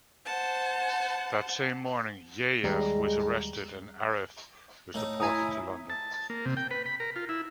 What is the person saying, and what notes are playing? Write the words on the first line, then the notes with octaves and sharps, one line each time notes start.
That same morning Yahya was arrested and Arif was deported to London.
C5 F#5 A5
D#2 G3 G#3 A#5
A2 D#4
E4 G#5 A#5 D#6
A5
A5
A#3
C3
G5
B4
B5
A#4
F4
E4